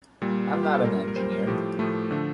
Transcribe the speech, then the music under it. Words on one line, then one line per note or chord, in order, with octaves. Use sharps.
I'm not an engineer.
A#2 G3
A#2 G3 F4
G4
A4
A#2 G3 A#4
A#4
A#2 G3 C5
A#4
A2 F3 A3 G4
A2 F3 A3
D3 F3 A3